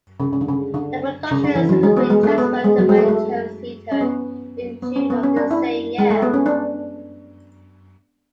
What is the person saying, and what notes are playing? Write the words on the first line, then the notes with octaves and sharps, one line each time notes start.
The production subsequently transferred to Wyndham's Theatre in June of the same year.
C#3
C#3
D3
C#3
D3
C#3
D3
E3
F#3
G#3
B3
G#3
A3
B3
G#3
F#3
G#3
A3
A3
C#4
B3
B3
C#4
B3
C#4
D4
E4
G#3
A3
B3
C#4
D4